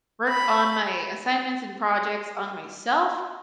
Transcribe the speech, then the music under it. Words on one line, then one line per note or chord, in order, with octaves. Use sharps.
work on my assignments and projects on myself
B5